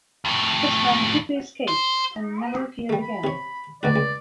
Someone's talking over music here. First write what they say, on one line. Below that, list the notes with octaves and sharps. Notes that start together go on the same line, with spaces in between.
This man quickly escapes and never appears again.
F2 A2
C5
G3 A3
B5
C3 C#5
D2 B2 F#4 D5
C#2